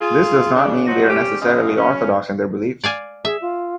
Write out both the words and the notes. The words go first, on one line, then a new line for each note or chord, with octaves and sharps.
This does not mean they are necessarily orthodox in their beliefs.
F4 G#4
C#3 D4
F3 F#3 D#4 F#4
G3 C4 C#4 G4
F#2 G#3 C#4 D#5 F5
F#3 C#4
D5 F5 G#5
G#4 E5
F4